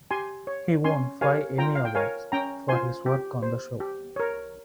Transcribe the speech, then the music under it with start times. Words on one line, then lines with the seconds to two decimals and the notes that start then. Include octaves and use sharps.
He won five Emmy Awards for his work on the show.
0.11 G4 G#5 C6
0.47 C#5
0.84 C#4 G#5 C6
1.21 G4 A#4 C#5 F5 G#5
1.58 F4 G5 A#5
1.75 F5
1.85 G5
1.95 A#4 C#5 F5 G#5
2.32 C#4 G5 A#5
2.69 F4 C5 G#5 C6
3.06 G4
3.43 C5
3.80 G4
4.16 A#4 C#5